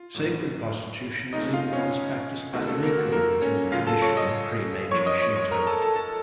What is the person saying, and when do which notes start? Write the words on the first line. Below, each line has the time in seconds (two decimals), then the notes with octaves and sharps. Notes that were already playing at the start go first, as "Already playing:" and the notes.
Sacred prostitution was even once practised by the Miko within traditional, pre-Meiji Shinto.
Already playing: F4
0.14 A1 A2 F#3
1.33 F#2 C#3 A3 D#4 D#5
1.54 F4 F5
1.73 C#4 C#5
2.53 C#2 C3 D#3 A3 F#4
2.68 A4
2.83 A#3 A#4
2.98 F#4
3.12 A#3 A#4
3.42 C#4 C#5
3.72 C#2 C#3 F#3 F4 F5
3.87 A4 A5
4.02 C#5 C#6
4.17 D#5 D#6
4.91 F#2 F3 A#3 C#5 C#6
5.06 D#5 D#6
5.22 C#5 C#6
5.36 C#5 C#6
5.51 A#4 A#5
5.67 A4 A5
5.82 A4 A5
5.96 A4 A5